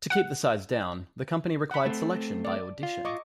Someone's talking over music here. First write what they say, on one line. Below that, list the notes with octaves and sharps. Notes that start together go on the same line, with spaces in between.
To keep the size down, the company required selection by audition.
F#5
F#5 B5
A3 C4
D5
F4
D#5 C#6 D6